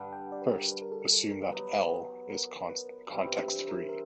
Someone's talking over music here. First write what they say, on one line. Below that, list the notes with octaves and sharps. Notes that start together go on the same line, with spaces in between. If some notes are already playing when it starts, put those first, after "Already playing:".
First, assume that "L" is context free.
Already playing: G2 D3 G3 F#5
G5
D5
B4
A#4
A#4
B4
A#4
A4
A#4
A4
A#4
F#3 B3 D#4 B4
A#4
B4
G2 E3 G3 C4
A#4
A#4